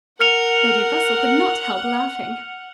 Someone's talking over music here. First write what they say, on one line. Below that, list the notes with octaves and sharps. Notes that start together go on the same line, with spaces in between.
Lady Russell could not help laughing.
A#4 F#5 F6 C#7 F7